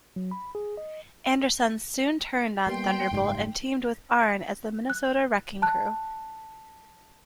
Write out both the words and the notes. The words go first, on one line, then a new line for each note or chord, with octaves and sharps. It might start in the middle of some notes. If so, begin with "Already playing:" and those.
Anderson soon turned on Thunderbolt and teamed with Arn as the Minnesota Wrecking Crew.
F#3
B5
G#4
D#5
G3 A#3 B3 G5 C6
F#1 G#2 G3
F#6
A5 F#6